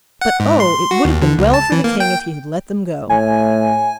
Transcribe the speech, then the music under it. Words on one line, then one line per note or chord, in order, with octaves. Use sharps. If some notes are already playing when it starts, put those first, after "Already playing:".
But O! it would have been well for the King if he had let them go!
F#5
G#2
C6
F#4
D#2
D3
C#2
A5
E3
A#3
G5
A2 G#5